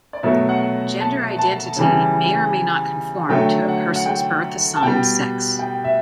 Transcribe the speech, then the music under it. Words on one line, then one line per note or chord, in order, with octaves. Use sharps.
Gender identity may or may not conform to a person's birth assigned sex.
D5
B2 F#3 A3 E5
F#5
A5
A5
C#3 E3 G3
D3 F#3 A3 G5
F#5
F#5
G5
A5
B2 G3 G5
G5
E5